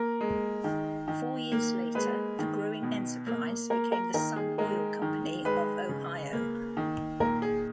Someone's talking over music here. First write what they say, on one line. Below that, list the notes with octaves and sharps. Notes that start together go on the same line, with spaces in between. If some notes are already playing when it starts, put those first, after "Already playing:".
Four years later, the growing enterprise became the Sun Oil Company of Ohio.
Already playing: A#3 A#4
G#3
D#3
D#3
A#3
G#3 B4
D#3
B2
A#3
A#3 A#4
A#4
D#3 A#4
G#4
G#3 A#4
D#3
G#3 B4
C#3
A#3
D#3
A#2 A#4
G#4